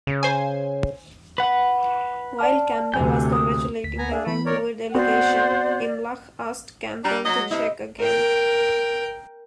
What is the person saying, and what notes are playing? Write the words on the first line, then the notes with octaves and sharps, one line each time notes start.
While Campbell was congratulating the Vancouver delegation, Imlach asked Campbell to check again.
C#3
C5 G#5
B4 F#5
D5 A5 F6
D2 C3 G#5 G6
D#6
D2 B6
B3 G#5 A#5
D4 G#4 E5 F5 G#5
E3 B3 B5
A#4 C#5 D5
B3 C4 F#4 C5 D5 F#5
G3 D4 A#5
F#3 D#5
G#3
C3 E4 D#5
A#4 G5